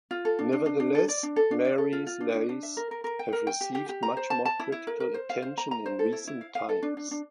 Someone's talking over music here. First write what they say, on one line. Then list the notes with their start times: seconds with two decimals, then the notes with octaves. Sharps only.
Nevertheless, Marie's lais have received much more critical attention in recent times.
0.11 F4
0.25 A4
0.39 D4
0.53 D4
0.66 D4
0.80 D4
0.95 A4
1.08 D5
1.23 D4
1.36 A4
1.51 D4
1.65 D5
1.78 A4
1.93 F4
2.07 F4
2.21 D4
2.34 D4
2.49 D4
2.63 E5
2.77 A#4
2.91 A#4
3.04 A#4
3.19 G5
3.33 A#4
3.47 G5
3.61 G4
3.75 G4
3.89 G4
4.03 A#5
4.17 C5
4.30 A5
4.45 A5
4.59 E4
4.72 E4
4.87 A#4
5.00 A#4
5.14 C5
5.30 F5
5.42 C5
5.58 A#5
5.71 A#5
5.86 C5
5.99 A4
6.13 E4
6.28 E4
6.41 F5
6.55 F5
6.69 A4
6.83 D4
6.97 D4
7.11 D4